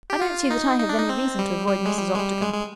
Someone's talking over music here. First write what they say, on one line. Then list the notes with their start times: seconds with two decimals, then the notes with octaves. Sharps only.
"I don't see that I have any reason to avoid Mrs. Octagon."
0.10 G4
0.22 F4
0.50 D#4
0.80 D#4
0.89 D4
0.98 D#4
1.09 C4
1.39 G3
1.68 G3
1.86 G#3
1.98 G3
2.14 G#3
2.20 G3
2.41 G#3
2.54 G#3